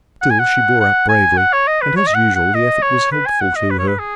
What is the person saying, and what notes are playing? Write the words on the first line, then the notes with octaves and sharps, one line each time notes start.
Still she bore up bravely, and as usual the effort was helpful to her.
F#5
G#5
F#5
F#5
G#5
F#5
C#5
D#5
B4
C#5
D#5
F#5
F#5
D#5
C#5
B4
G#5
F#5
D#5
B4
C#5
B4
G#4